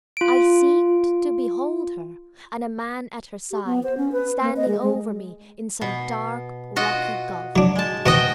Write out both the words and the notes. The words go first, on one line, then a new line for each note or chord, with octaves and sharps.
I seemed to behold her and a man at her side, standing over me in some dark, rocky gulf.
F4 D7
G4
B3
C5
C#4
B4
A#3
D#5
G#3
G#3
B2
F4 F#4 D#5
F#3 D4
G#3 A5
B2 C4 F#4 D#5 G5 D#6